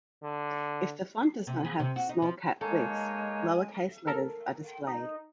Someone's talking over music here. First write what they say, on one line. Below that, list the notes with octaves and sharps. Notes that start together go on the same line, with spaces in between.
If the font does not have small-cap glyphs, lowercase letters are displayed.
D3
C3
G#4
C3
F#4
D#4
F3
G#3 A#3 D#4 A4 C#5 G#5
A4 A#4
D#4